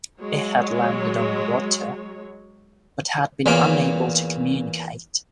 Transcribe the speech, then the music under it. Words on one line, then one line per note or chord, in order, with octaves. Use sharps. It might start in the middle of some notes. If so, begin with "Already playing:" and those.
It had landed on the water, but had been unable to communicate.
F#3 G#3 C#5
E2 A#2 C#3 A#3 C6 D6